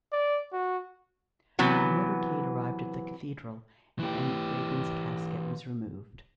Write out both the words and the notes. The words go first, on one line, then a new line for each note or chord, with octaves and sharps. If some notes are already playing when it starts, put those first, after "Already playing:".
The motorcade arrived at the Cathedral and Reagan's casket was removed.
D5
F#4
C3 E3 F#3 B3
E3 G4